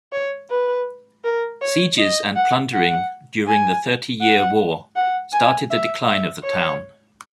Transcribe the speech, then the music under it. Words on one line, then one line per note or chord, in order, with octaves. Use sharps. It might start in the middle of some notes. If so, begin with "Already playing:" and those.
Sieges and plundering during the Thirty Year War started the decline of the town.
C#5
B4
A#4
C#5
D#5
F#5
F#5
G#5
F#5
F#5
G#5
E5
E5
C#5